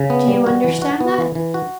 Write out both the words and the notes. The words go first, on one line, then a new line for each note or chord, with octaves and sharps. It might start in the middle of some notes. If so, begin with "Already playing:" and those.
Do you understand that?
Already playing: C#3
B3
G3
F#4
E3
F#4
B3
E3
E3
F#4